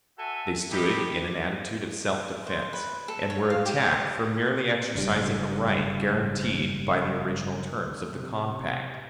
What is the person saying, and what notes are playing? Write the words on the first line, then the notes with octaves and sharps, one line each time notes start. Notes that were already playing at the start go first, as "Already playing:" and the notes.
They stood in an attitude of self-defense, and were attacked for merely exercising a right guaranteed by the original terms of the compact.
F#4 A4 E5 G#5
D#4 E4 G4
C5
B4
A4
C#5
F5
G4
F#1 G2
C3